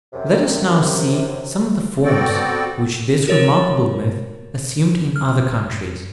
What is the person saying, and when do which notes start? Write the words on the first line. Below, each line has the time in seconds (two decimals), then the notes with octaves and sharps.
Let us now see some of the forms which this remarkable myth assumed in other countries.
0.13 F#2 C3
2.04 B3 C4 F#4 A4 D5 G5
3.28 F#4 A#4 C#5 A6
5.16 F6